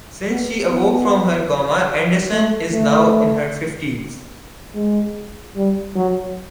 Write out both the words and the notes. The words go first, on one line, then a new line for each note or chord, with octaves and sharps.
Since she awoke from her coma, Anderson is now in her fifties.
B3
B3
A3
A3
G#3
G3
F#3